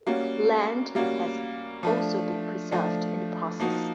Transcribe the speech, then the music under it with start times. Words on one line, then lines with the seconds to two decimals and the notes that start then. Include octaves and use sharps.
Land has also been preserved in the process.
0.07 G3 A#3 C#4 F#4
0.95 G3 A#3 C#4 F#4
1.83 F3 A3 D4
2.72 F3 A3 D4
3.60 F3 A#3 D#4 F#4